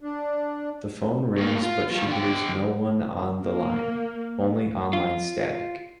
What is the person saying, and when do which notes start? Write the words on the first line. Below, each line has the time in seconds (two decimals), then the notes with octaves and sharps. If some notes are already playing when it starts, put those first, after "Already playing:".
The phone rings but she hears no one on the line, only online static.
0.01 D4
1.38 A2 A#3
1.62 F4
1.91 G3 F4
2.08 D3 G4
3.44 A#3
4.93 F4